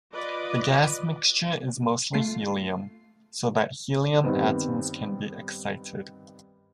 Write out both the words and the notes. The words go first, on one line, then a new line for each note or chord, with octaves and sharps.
The gas mixture is mostly helium, so that helium atoms can be excited.
F4 B4 D5 D#5
A3 F4 C7
G2 D#3 G3 B3 C4